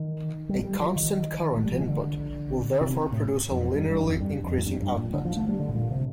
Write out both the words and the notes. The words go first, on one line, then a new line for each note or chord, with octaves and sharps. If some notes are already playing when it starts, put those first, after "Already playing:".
A constant current input will therefore produce a linearly increasing output.
Already playing: D#3
G3
G3
F3
D#3
A3
G3
F3
D#3
D3
C3
A2
F2
G2
G2
F2
G2
F2
A2
G2
G2
A#2
D3
F3
A3
G3
D3
A2
A#2
C3